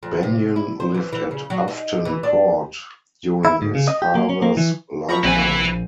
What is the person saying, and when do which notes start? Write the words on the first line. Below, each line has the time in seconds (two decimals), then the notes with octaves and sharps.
Benyon lived at Ufton Court during his father's lifetime.
0.03 F2
0.23 C3
0.56 E4
0.80 C5
0.94 E3
1.12 E3
1.31 C#3
1.50 F#3
1.68 D#4
2.05 E3
2.23 D4
3.45 E4
3.62 G#2
3.75 C#3
3.88 D#5
4.02 G4
4.15 A#3
4.30 C#4
4.42 A#3
4.57 E3
5.09 F3 A#5 B5 C#6
5.24 A#1 C4 E4 B4 G#5